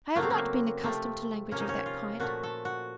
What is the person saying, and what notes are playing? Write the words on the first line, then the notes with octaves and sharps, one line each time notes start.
I have not been accustomed to language of that kind.
C#3 F#3 A3 A#3
C4
A#3
C3 F3 A3 C4
C3 F3 A#3 C#4
D#4
C#4
F4
A#2 F3 A3 F#4
A4
F#4